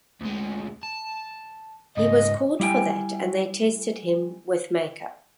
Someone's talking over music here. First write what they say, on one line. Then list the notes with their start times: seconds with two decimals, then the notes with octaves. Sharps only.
He was called for that and they tested him with makeup.
0.21 D2 G#3
0.83 A5
1.97 G#2 C#3 D#5
2.60 G3 E4 E5 G5 G#5